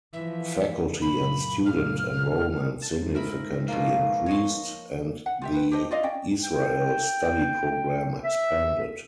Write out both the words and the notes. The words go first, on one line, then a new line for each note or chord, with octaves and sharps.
Faculty and student enrollment significantly increased, and the Israel study program expanded.
E3 F3 E5
F#2 A#2 B5
F6
A5
G#2
A#4 E5 B5
B2 F3 A#3
C#5 D#5 C6
F#5
F4 G4 E5
B4
G4 A4 C5 D#5
F4 D5 D#5 F5
C#4 D5 G5
G5
E5